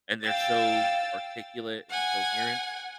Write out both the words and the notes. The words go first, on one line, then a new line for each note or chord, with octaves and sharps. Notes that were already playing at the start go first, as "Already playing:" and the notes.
and they're so articulate and coherent
F5 G5 E6 A6
F#5 G#5